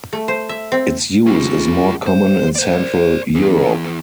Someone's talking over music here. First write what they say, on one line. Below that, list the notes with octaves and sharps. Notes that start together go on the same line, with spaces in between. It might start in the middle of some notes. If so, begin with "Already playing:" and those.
Its use is more common in Central Europe.
A3
C5
E5
C4
F4 G#4
C5
C5 D5
E2 G#4